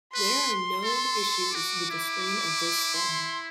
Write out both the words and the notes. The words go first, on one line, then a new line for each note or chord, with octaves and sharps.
There are known issues with the screen of this phone.
B4 C6
A4
F#4 D6
E4
C6